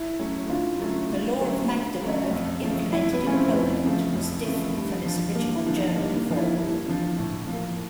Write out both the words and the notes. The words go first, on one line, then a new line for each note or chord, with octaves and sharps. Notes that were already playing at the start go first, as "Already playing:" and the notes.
The Law of Magdeburg implemented in Poland was different from its original German form.
Already playing: E4
F#3 A3 C#4
D3 F4
F#3 A3 C#4
D3
F#3 A3 C#4
D3
F#3 A3 C#4
F2
C#3 F3 A3
F2 E4
B3
C#3 F3 A3 C#4
C4
F2 B3
C#3 F3 A3
F2
C#3 F3 A3
G2
D3 F3
G2 A#3
E4
D3 F3
D#4
G2 A#3
A#3
D3 F3
E4
G2 E4
D3 F3
A2
F3
A#3